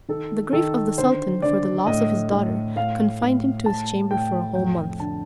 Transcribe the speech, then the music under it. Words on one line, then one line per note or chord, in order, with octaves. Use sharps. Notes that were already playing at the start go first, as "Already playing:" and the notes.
The grief of the sultan for the loss of his daughter confined him to his chamber for a whole month.
D#3 A4
D#3 A4
D3 C5
D3 D5
A2 D#5
A2
A2 F5
A2
A2 A5
A2 G5
F2 G5
D3 A5